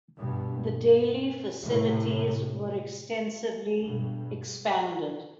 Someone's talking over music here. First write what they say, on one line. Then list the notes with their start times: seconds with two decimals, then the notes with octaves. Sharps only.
The daily facilities were extensively expanded.
0.17 G2 B2
1.63 A2 C3
3.82 G2 B2